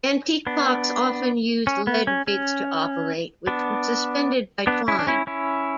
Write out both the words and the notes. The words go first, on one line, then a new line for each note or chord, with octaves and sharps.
Antique clocks often used lead weights to operate, which were suspended by twine.
B3 D4
C#4
B3
C#4
C#4
B3 D4
B3 D4
C#4 E4
D4
C#4 E4
C#4 E4